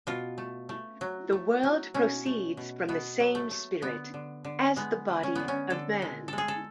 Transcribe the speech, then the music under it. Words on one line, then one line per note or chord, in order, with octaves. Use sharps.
The world proceeds from the same spirit as the body of man.
B2 F4
A3
A3
F#3
A3
F#3
B2 C#4
A3
B2
B2 B3
F#3
A3
A3
D3 B3
D3
D3
G#3 B3
D3
C#4
D3 B3
C#4
D3 A4
G#3
G#3 A4
G#4
A4